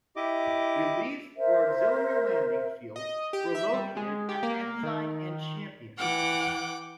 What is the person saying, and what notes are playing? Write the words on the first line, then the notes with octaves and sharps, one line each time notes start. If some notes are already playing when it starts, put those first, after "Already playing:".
Relief or auxiliary landing fields were located at Ensign and Champion.
E4 G4 D#5 D6
A#4 C5 E5
D#5
G4
E5
G3
G#3
G4
A#3
D#3
E3 F#5 G5 D6